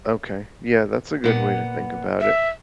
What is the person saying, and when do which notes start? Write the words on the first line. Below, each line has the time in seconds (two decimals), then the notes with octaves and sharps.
Okay, yeah, that's a good way to think about it.
1.24 A#2 B3 F#5
2.21 E5